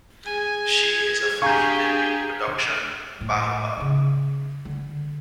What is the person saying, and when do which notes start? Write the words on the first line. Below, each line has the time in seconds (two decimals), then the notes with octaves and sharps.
She is affiliated with Production Baobab.
0.25 G#4 G#5
0.85 G#6
1.42 D4 G4 G#4 F5 G#5 A#5 C#6 G6
3.21 A2
3.77 C#3 D#4
4.65 D3